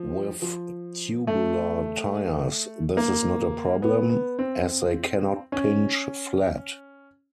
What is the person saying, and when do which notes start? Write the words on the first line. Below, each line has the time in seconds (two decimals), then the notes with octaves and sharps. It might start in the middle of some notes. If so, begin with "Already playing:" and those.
With tubular tires, this is not a problem, as they cannot pinch flat.
Already playing: F3
0.42 F3
1.27 A3
2.97 A#3
3.82 B3
4.10 B3
4.39 C4
5.52 C#4